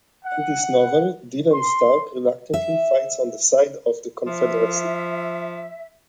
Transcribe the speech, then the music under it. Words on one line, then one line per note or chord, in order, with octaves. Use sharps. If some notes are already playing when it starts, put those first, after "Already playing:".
In this novel Dylan Stark reluctantly fights on the side of the Confederacy.
F#5
C6
E5
F3 E5